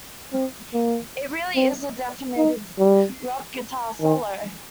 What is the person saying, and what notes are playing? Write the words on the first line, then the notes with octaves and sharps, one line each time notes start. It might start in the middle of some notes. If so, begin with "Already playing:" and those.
It really is the definitive rock guitar solo.
C4
A#3
C4
D#4
G3
D#3